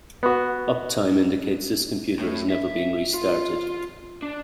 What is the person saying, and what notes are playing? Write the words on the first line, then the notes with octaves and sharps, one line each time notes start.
Uptime indicates this computer has never been restarted.
B3 F#4
A2
E5
F4
D4